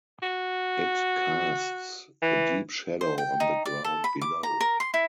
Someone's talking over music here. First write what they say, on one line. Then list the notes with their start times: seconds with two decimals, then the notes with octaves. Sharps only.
It casts a deep shadow on the ground below.
0.23 F#4
2.22 E3
3.01 C5
3.18 G5
3.40 D#4
3.65 D5
3.84 A4
4.04 B5
4.21 D6
4.43 A#5
4.61 A#4
4.80 C6
4.94 E4